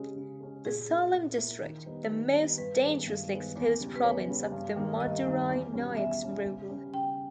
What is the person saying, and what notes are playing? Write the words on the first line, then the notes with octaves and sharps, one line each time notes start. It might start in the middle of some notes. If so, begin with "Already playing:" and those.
The Salem district, the most dangerously exposed province of the Madurai Nayaks rule.
Already playing: C#3 G#3 C#4 G4
C#3
G#3 C#4
A#2 G#4
A#3 E4
A#2
A#3 E4
D#3
G3 B3 D#4
D#3
G3 B3 D#4
G2 B4
D#3 G#3 B3
G2
D#3 G#3 B3
E2
C#3 G3
B4
E2 C#5
C#3 G3
G2
D#3 A#3 D#4
G2 D#5
D#3 A#3 D#4
E2
B2 G3 C#4
E2 E5
B2 G3 C#4
C#3
G3 C#4
C#3 G5